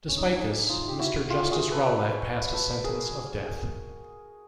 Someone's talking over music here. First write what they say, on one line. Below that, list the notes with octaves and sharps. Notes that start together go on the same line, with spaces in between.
Despite this, Mr. Justice Rowlatt passed a sentence of death.
C#4
D#4
D4
D#4
D4 D#4
D#4 F4
G4
E4 F#4
F4 G4
F#4 G#4
A4 B4
A4 B4
G#4 A#4